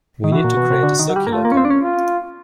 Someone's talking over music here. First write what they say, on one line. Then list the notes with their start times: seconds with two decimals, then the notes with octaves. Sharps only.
We need to create a circular economy.
0.24 D#3
0.32 E3 F#4
0.44 A#2
0.57 B2
0.70 C3
0.83 D3
0.99 D#3
1.10 F#3
1.16 G3
1.27 A#3
1.32 A3 F4
1.45 A#3
1.52 C#4
1.57 C4
1.65 D4
1.70 C#4
1.83 F4